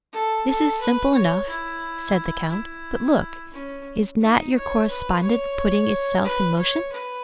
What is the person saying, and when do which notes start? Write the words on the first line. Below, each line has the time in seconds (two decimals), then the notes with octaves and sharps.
"This is simple enough," said the count; "but look, is not your correspondent putting itself in motion?"
0.13 A4
0.47 A4
0.81 B4
1.14 C#5
1.48 E4
2.50 E4
3.53 C#4
4.21 D#4
4.55 C#5
4.89 B4
5.23 C#5
6.24 B4
6.58 C#5
6.92 B4